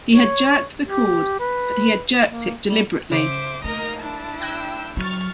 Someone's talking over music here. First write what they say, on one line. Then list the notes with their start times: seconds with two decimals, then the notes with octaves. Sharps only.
He had jerked the cord, but he had jerked it deliberately.
0.14 C#5
0.87 G4
1.40 B4
2.28 A#3
2.67 G3
3.12 C#3 C5 E5 D6
3.64 A3 A#3 D#4 A#4 D#5 A#5
3.99 D4 E4 A5
4.41 G5 E6 F#6 G#6 A#6
4.97 F#3 C#6 F6 A6